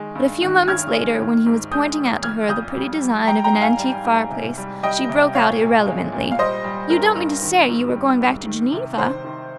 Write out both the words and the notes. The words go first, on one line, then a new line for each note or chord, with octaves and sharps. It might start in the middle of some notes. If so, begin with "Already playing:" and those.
But a few moments later, when he was pointing out to her the pretty design of an antique fireplace, she broke out irrelevantly, "You don't mean to say you are going back to Geneva?"
Already playing: D#3 G#3
G2
D#3
G2 F6 G#6
G#3
D#3
G#2
G#3 D#6 G6
D#3
F2 F6 G#6
F2 D#6 G6
G3
G3
G3 G5 A#5
G5 A#5
G#2
F5 G#5
G3
G#2
C3
G3
G3 D#5 G5
C3
A#2 C#5 F5
A#2
G#3
A#2
F5
G3 C5 D#5
G3
G2 A#4
G2
D#3
G#2
G3
G#2
D#3
C3
D#3 C5
D#3